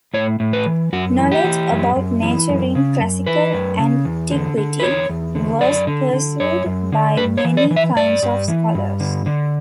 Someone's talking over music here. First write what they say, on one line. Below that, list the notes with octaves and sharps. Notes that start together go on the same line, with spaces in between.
Knowledge about nature in Classical Antiquity was pursued by many kinds of scholars.
A2 C#5
A2
B4
E3
F#2 F#4
E3
G4
E3
F#2
F#2
E3
F#2
C#3
F#2
E3 B4
F#2
C#3
E2
D3
D3
B4
E2 C#5
E2
D3
F#2 D5
D3
D3
F#2 C#5
F#2
D3
G2 B4
C#5
E3
D5
E3
E5
G2 D5
G2
E3
G2
D3
D3